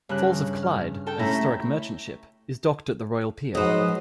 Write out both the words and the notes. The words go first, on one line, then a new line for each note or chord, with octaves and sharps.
"Falls of Clyde", a historic merchant ship, is docked at the royal pier.
G2 C#3 F#6
F6
A4 G5
A3 C#4 E4 A#5
G#2 F3 F#3 B4 C5 D#6